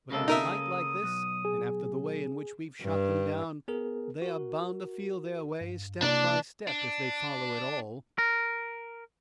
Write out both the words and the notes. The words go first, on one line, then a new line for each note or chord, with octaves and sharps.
But on a night like this, and after the way in which we have shot them down, they are bound to feel their way step by step if they follow at all.
C#3 G#3 A#3 A4
D#4 A#4 E5 D#6
B1
G#4
G2
B3 G#4 A#4
F#4 A#4
G2
C3 A#3 D4 E4
D4
A#4